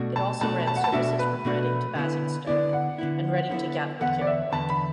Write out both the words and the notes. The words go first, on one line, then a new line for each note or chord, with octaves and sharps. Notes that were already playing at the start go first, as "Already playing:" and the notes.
It also ran services from Reading to Basingstoke and Reading to Gatwick Airport.
Already playing: B2 A3 D4 F#4
A5
B2 A3 D4 F#4 A5
A5
F#5
A5
B2 A3 D4 F#4 E5
B4
B2 A3 D4 F#4
D3 B3 E4
D3 B3 E4 D5
F#5
D3 B3 E4
D3 B3 E4
E2 D3 B3 F#5
D5
E5
E2 D3 B3 A5
B5